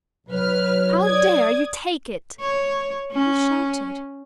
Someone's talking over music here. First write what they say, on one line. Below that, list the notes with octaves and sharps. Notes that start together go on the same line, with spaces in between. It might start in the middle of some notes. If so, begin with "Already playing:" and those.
"How dare you take it?" he shouted.
B1 F#3 B4 F6
D5 D#6 G#6
C#5
C#4